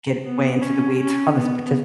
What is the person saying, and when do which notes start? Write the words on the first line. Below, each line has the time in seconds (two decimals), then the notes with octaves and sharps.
get way into the weeds on the spetif
0.25 B3
0.62 C#4
0.99 C#4
1.36 B3